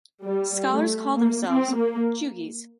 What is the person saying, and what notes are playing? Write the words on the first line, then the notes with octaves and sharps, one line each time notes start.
Scholars call themselves "Jeugies".
G3
A3
A#3
C4
A#3